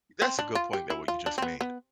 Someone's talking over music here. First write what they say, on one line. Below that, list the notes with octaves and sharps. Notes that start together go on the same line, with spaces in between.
That's a good point that what you just made,
C4
D4
F4
G4
E4
F4
D4
C4
B3
B3